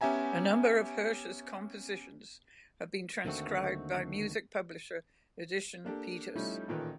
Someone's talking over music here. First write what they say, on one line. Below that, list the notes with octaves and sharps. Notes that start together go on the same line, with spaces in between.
A number of Hersch's compositions have been transcribed by music publisher Edition Peters.
B3 C#4 G4 E5 G#5 A#5
D#2 D3 D#3 A3 C4 F#4
A#3 D4 G4 A4
F3 G3 A3 C#4 D#4 E4
A1 A#2 D#3 A4 B4